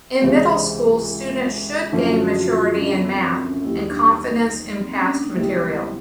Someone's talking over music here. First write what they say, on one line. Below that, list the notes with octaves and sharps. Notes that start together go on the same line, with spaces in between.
In middle school, students should gain maturity in math, and confidence in past material.
B4
C#2 C3 E3 G#3 C5
A#4
F#2 D3 F3 A3 C#4 F4
F#4
F4
F#4
F4
F#4
F4
C#4
D4
B3
C4
C4
C#4
D#2 D#3 G3 E4
D#4
D4
D#4
C4
C#4
D4
D#4
C#2 C3 D#3 G3 B3 E4